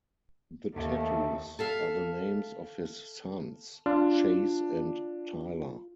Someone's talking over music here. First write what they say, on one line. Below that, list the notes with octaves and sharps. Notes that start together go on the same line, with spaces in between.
The tattoos are the names of his sons, "Chase" and "Tyler".
D#2 A3
A4 E5 F5
D4 F4